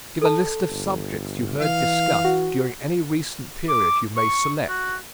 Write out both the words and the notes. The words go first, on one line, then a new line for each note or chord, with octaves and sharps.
Give a list of subjects you heard discussed during any recent period you may select.
A4 A5
G1
E3 F5
F#4
D6
C#6
F#4